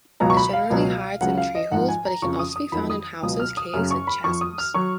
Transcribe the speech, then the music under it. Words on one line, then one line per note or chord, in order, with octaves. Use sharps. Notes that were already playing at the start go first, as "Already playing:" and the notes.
It generally hides in tree holes, but it can also be found in houses, caves and chasms.
C#2 B2 F#3 A#5
C#6
B5
F5
C#2 B2 F#3
C#2 C#3 F#3 F#5
F5
D#5
G#2 F3 F#5
G#5
A#5
F2 C#3 F3 C#6
D#6
D#6
F2 D#3 F#3 B5
D#6
C#2 B2 F#3 D#6
F6
D#6
F#2 C#3 F#3 F6
C#6
B5
F2 F3 C#6
D#6
F6
F#3 C#6